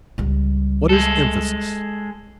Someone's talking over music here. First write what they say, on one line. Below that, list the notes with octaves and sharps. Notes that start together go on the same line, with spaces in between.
What is emphasis?
C#2 G3
G#3 A4